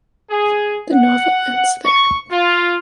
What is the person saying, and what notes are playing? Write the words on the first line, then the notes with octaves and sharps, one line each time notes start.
The novel ends there.
G#4
F#5
C#6
F4